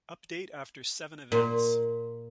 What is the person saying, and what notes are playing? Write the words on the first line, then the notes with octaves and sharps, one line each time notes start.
Update after seven events.
A#2